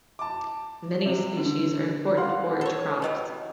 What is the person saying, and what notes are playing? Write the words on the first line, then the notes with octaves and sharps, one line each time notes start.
Many species are important forage crops.
A5 D6
C3
D3
F5 F#5 C6 F6
A4 C#5
C3 E3 F#3 C#5 D#5 E6